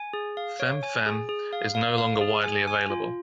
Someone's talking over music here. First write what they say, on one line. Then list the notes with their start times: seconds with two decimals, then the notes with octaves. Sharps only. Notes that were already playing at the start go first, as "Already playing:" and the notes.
Fen-phen is no longer widely available.
Already playing: G#5
0.13 G#4
0.37 F5
0.60 C#5
0.83 G#5
1.06 G#4
1.29 G#4
1.53 F5
1.75 F5
1.98 F5
2.21 G#4
2.44 G#5
2.67 G#5
2.90 F4